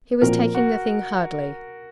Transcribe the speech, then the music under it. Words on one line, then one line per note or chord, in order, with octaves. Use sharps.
He was taking the thing hardly.
A#2 F3 C4 F#4 A#4
F#4